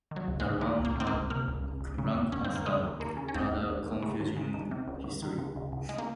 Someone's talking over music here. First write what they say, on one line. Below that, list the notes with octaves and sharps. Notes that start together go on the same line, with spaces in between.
The rank has a rather confusing history.
D#3
F#3
C#2
C#2 G#3
D#3 G#3
C#2
A#3
D#3 C4
A#3
C#2
C3 A#3
C#2
C#2
C#2
C#3
D#2
D#2 C#4
D#2 C4
A#3
C#3 G#3
D#2
D#2 A#3
C#3
C#4
D#2 C4
D#2
D#2
D#2
C#3
D#2
C#3
D#2
C3
C#2
C#2
D#3
C#2
C#2
C#2
G#3
A#3